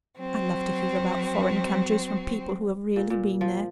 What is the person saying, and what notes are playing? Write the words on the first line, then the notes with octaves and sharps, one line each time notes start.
I love to hear about foreign countries from people who have really been there.
F#3 C4
A#2
A#2
F3